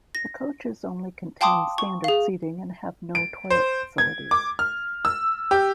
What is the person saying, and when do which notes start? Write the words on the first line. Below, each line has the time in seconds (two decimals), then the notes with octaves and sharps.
The coaches only contain standard seating and have no toilet facilities.
0.15 A#6
1.41 F5 G5 A5 C6 D6 D#6
1.78 C#6
2.04 G#4 F5
3.15 D7
3.50 C5
3.98 G#6
4.31 D6
4.59 F6
5.05 E6
5.51 G4